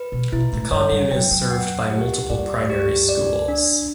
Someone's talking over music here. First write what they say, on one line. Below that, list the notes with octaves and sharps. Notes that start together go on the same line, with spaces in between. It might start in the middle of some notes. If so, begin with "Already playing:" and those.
The commune is served by multiple primary schools.
Already playing: B4
B2
B2 E4
A2
G2 C#5
G2
F#2 G5
F#2
F#5
G4
G2 D5
G4
D5
D4